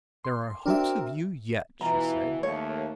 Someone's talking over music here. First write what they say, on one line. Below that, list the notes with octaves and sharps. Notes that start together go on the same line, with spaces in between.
"There are hopes of you yet," she said.
C6
C4 D4 F#4 A#4 E5
B2 E3 F4 A#5
D#2 A3 C#5